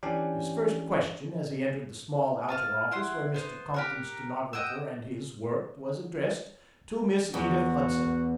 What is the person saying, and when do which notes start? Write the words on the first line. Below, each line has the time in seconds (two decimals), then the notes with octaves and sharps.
His first question, as he entered the small outer office where Mr. Compton's stenographer and his worked, was addressed to Miss Edith Hudson.
0.03 E3 C#4 D4 G4
2.49 F4 A5 F6
2.91 E4 F#5 C6
3.34 B3 C5
3.74 G4 A#4 F#5
4.53 D#5 F#5 G5 E6
7.34 E2 F#4